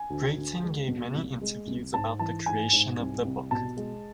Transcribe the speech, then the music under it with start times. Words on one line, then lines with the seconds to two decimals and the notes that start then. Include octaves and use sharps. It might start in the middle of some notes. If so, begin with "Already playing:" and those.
Breton gave many interviews about the creation of the book.
Already playing: G#5
0.10 D2
0.36 D2
0.63 G#3
0.89 B2
1.15 C2
1.41 G#3
1.67 C2
1.94 G#2 A5
2.19 E3 A5
2.46 G#2 G#5
2.73 G#2
2.99 C2
3.24 C2
3.51 B2 A5
3.77 G#3